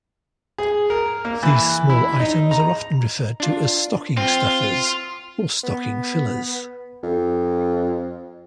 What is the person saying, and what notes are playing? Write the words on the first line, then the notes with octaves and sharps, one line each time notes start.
These small items are often referred to as stocking stuffers or stocking fillers.
G#4
A#4
A#3
E3
E4
D#4
A#5
D4 F4
C4 F4
B3
F2